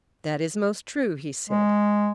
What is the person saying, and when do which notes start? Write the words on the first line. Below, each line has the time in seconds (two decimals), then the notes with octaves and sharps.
That is most true, he said.
1.50 G#3